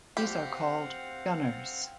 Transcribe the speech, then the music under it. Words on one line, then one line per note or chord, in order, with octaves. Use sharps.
These are called gunners.
C4 G4 F5 F#5